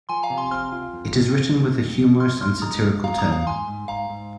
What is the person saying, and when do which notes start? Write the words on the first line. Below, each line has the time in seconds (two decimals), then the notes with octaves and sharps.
It is written with a humorous and satirical tone.
0.09 F3 G#5 C6
0.23 F5 A#5
0.30 C3
0.38 G#5 C6
0.51 C4 C6 F6
0.72 F4
0.93 F2
1.15 C4
1.36 C4
1.57 D#3
1.78 F2
1.99 F2
2.20 F2 C6 F6
2.41 F2 C6 F6
2.62 G#3 A#5 D#6
2.83 G#3
3.04 F3 F5 A#5
3.18 A#5 D#6
3.25 G#2
3.32 F5 A#5
3.46 G#2 G#5 C6
3.68 G#2
3.88 G#2 F5 A#5
4.10 G#2